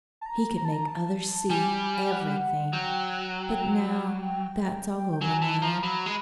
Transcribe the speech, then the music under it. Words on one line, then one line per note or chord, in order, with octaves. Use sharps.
He could make others see--everything. But now--that's all over now.
A5
A#5
A#5
A5
A#5
A5
G3 G#5
F#5
F#3 G5
G5
F#3 G#5
E3 A5
F3 A#5
F#3 B5
G#3